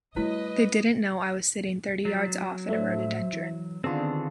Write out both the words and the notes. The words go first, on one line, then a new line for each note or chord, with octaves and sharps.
They didn’t know I was sitting thirty yards off in a rhododendron.
G3 A3 E4 F#4 B4 C#5 D#5
F#3 A6 B6 C7
A2 A3 D4 C5 E5
E3
D3 D#3 B3 C4 D4 F4 G#4 A5